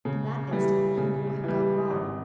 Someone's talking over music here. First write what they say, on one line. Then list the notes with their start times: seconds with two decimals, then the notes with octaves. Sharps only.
In that instant, he knew what had gone wrong.
0.05 C#3
0.51 E3 G3
0.97 C#3
1.44 E3 G3
1.90 G#1